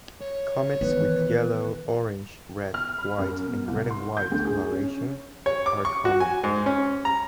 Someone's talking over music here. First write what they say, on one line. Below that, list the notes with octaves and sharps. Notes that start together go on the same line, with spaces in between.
Comets with yellow, orange, red, white, and red-and-white coloration are common.
C#5
B2 D#3 E3 B3 B4
F6
B5
F#2
B2
C2
C6
G6
D2
G#4
C#4
C#5
D6
C#6
F#4
G#5
G#2
C#4
A#5